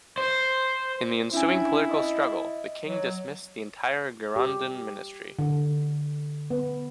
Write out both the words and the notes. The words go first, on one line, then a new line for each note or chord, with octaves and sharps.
In the ensuing political struggle, the king dismissed the entire Girondin ministry.
C5
C#4 D4 E4 G#5
D#5
F#3
G4
D3
B3